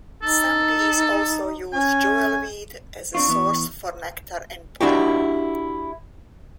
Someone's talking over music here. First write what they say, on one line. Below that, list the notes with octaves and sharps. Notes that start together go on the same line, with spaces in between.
Some bees also use jewelweed as a source for nectar and pollen.
D#4 A4
C#4 G#5
C4 D4 F4 C#6
E3 B3
D4 E4 F#4 G4